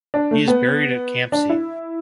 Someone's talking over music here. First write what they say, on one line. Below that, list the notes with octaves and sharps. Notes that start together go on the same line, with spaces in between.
He is buried at Campsie.
D4
A3
B3
D4
E4